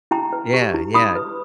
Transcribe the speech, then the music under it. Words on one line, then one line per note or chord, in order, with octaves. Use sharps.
Yeah, yeah.
E4 G5 A#5
B4
G4
E4
E4 B5 D#6
B4